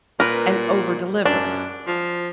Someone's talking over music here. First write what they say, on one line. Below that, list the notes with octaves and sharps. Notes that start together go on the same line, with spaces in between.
and overdeliver.
A#2 A#4 B4
F#2 D4
F3